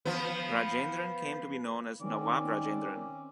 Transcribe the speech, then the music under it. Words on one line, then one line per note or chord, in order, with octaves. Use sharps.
Rajendran came to be known as Nawab Rajendran.
F3 B3
D#3 C4 C#4 D5